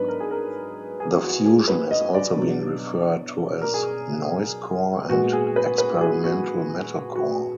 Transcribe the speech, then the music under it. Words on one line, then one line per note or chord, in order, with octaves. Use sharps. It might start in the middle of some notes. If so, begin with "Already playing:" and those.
The fusion has also been referred to as noisecore and experimental metalcore.
Already playing: G#2 F#3 B3 D4 B4
A#4
G#4
A#4
G#4
F#4
G#4
B4
D#5
D5
B2 F#3 B3 D4
A#4
G#4
A#2 G#3 B3 F#4
G#4
B4
B4
G#4
F#4
F#4